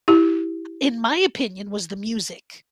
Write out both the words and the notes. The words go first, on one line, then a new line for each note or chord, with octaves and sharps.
in my opinion, was the music,
E4 G4